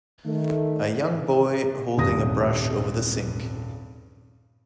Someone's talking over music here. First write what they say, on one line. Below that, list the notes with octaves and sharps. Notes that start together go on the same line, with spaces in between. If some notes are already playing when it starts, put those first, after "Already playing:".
A young boy holding a brush over the sink.
D#3 A3
D#1 G#1 G2 C3 D#6 A#6